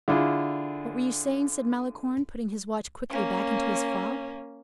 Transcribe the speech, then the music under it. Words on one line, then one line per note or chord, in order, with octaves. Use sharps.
"What were you saying?" said Malicorne, putting his watch quickly back into his fob.
D3 E4 F4 G#4
A#3 C#4